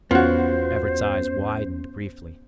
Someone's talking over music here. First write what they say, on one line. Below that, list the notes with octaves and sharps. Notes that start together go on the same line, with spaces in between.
Everts' eyes widened briefly.
E2 B3 C#4 F4 F#4 C5 G6